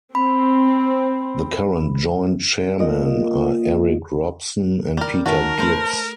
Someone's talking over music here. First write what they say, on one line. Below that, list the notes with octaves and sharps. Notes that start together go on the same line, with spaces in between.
The current joint-chairmen are Eric Robson and Peter Gibbs.
C4 B5
A#2 D#5
G3 A#4
D#3 A3 C#4 F#4 A#4 A5
A3 B4 C5 A#5